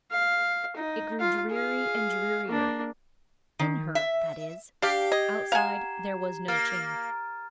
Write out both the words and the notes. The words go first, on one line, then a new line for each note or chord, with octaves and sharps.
It grew dreary and drearier--in her, that is: outside there was no change.
F5
D#4
F4 F5
G#4 F5
A#3 D4
D#3
E5
D4 G4 F5 C7
D#5 G#6
F5 F#5 G#5 A#5 E7
A#3 F6 A6